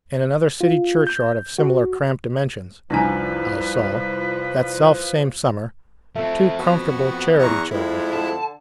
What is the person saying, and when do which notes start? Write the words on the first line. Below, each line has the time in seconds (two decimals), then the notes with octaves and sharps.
In another City churchyard of similar cramped dimensions, I saw, that selfsame summer, two comfortable charity children.
0.61 F4
1.07 G6
1.58 F#4
2.90 C2 F2 F3 D4 D#4 B4 G#5
6.16 F3 A3 C4
6.59 B3 F#4
7.39 E2 F#5 A#5 C#6
7.71 F2 G#3 E4
8.13 D3 A5